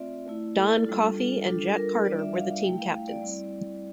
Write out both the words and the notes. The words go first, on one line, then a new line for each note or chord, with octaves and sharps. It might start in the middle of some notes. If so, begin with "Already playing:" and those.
Don Coffey and Jack Carter were the team captains.
Already playing: A3 C4 F4 D5 E5
A3 E4
A4
A4
G3 D4 F4
G3 D4 F4 A4
A#4
G3 D4 F4 D5
E5
F5
A3 E4 G5
F5
D5
G3 C4 E4